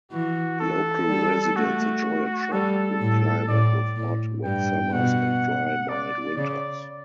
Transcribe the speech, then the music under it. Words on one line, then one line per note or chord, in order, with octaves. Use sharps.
Local residents enjoy a tropical climate with hot, wet summers and dry, mild winters.
E3 F#4
A4
G3
A3 F#4
G3 A4
A2
A2 D5
A2
G2 G5
B2 F#5
D5
C#3 D5